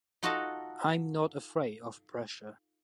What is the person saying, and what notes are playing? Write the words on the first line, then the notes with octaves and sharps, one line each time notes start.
I'm not afraid of pressure.
D#4 F4 F#4 A4 D#5 A5